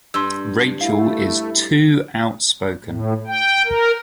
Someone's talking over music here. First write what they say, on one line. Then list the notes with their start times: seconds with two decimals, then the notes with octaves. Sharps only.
Rachel is too outspoken.
0.14 G2 C6 E6
0.81 A3 E4 F5
2.84 A2
3.27 G5
3.65 A#4